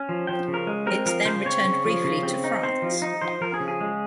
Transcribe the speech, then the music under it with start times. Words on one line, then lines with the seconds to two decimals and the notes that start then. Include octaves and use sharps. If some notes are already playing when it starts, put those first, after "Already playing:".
It then returned briefly to France.
Already playing: C#4
0.09 F3
0.27 F3 G5
0.48 C#3
0.54 A#4
0.67 G#3
0.87 C4 A#4
1.06 F3 A#4
1.25 C#3 C5
1.45 C4 C#5
1.64 C#3
1.85 F3
2.04 C#3
2.23 C4
2.44 D#4
2.63 C4 C5
2.82 F3
3.02 D#4
3.22 F3 C5
3.41 F3 A#4
3.54 G#4
3.60 C#3
3.68 G#4
3.81 G#3